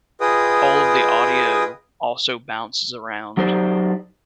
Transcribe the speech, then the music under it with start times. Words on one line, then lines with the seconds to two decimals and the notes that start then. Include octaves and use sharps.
all of the audio also bounces around,
0.21 F4 G#4 B4 D#5 G5 D#6
3.37 F#3 D#4 G4 C5 D5